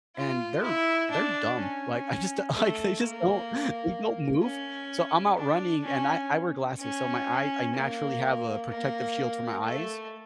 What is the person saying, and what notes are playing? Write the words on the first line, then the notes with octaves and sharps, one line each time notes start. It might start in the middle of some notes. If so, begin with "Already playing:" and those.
and they're they're dumb, like I just like, they just don't they don't move, so I'm out running and I I wear glasses, so my eye I naturally have a protective shield for my eyes,
F4
E4
D4
C#4
A3
A#3
C#4
D4
C#4
C#4
A#3
A#3
A3